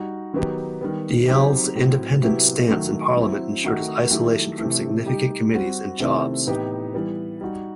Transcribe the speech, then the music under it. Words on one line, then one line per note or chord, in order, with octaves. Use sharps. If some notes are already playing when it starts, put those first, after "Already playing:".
Dalyell's independent stance in Parliament ensured his isolation from significant committees and jobs.
Already playing: G3 D#4 F#4
D#3 F#3 B3 D#4 G4
D#3 G3 B3
F#3 C4 D#4 G4
A2 F#3 C4
C3 F#3 B3 E4 G4
D#3 F#3 A3
F#3 C4 E4
D#3 A3 D#4 F#4
D#3 F#3 A3 E4 G4
C3 E3 A3
G3 D#4 G4
G3 C4 F#4
C3 D#3 A3 C4 E4
A2 E3 B3 D#4 G4
E3 G3 B3
G3 D#4 F#4